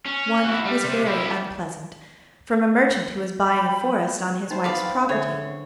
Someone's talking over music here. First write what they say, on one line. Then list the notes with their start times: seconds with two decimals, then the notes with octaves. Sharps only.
One was very unpleasant, from a merchant who was buying a forest on his wife's property.
0.05 C#4
0.45 E4 F#4
0.65 G3
0.84 C3
1.07 E4 G4
3.44 G5 B5
4.51 C4 D#4 E4 C5
4.64 B3 C4 D4 B4 D5 F5
5.09 D3 C#4 G#4 C5 C#5 E5